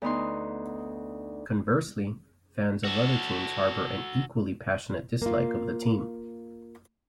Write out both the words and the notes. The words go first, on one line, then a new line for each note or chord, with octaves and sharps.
Conversely, fans of other teams harbour an equally passionate dislike of the team.
D2 B3 D#4 C6
F#4 A4
A#3 F4